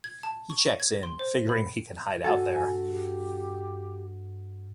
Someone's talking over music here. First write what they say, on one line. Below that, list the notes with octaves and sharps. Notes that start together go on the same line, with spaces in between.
He checks in, figuring he can hide out there.
G#6
A5
C#6
G#6
C6
C5
B5
G2 F#4 A4 G#5
G4